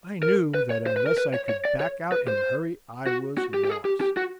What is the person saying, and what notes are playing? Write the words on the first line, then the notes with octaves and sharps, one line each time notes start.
I knew that unless I could back out in a hurry, I was lost.
A#4
B4
C#5
C5
B4
A#4
B4
C#5
C#5
D5
C#5
B4
C5
F#4
F#4
G4
G4
G#4
G4
G4
F#4